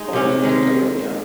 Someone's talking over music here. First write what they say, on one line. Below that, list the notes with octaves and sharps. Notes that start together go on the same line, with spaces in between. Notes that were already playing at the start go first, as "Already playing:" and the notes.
Only in Catalonia.
Already playing: G#3 D#4
C3 C#4
D#3 G#3